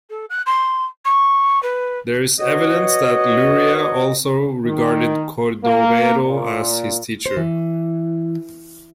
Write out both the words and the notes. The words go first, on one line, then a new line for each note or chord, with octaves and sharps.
There is evidence that Luria also regarded Cordovero as his teacher.
A4
F#6
C6
C#6
B4
F#4 B4 C#5 D#5
D#3
A#3
A#2
C5
E3